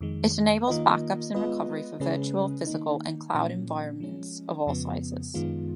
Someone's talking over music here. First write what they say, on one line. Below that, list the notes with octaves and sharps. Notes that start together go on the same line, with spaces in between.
It enables backups and recovery for virtual, physical and cloud environments of all sizes.
F2 D#3 G#3
D#3 A#3 F4 A#4 D#5
G#3 B3 F4 B4 D#5
C#3 G#3 C#4 G#4 B4
D#3 A#3 D#4
A#2 F3 A#3 C#4
F3 G#3 C#4
F2 C#3 F3 B3
F#2 D#3 G#3 B3 F4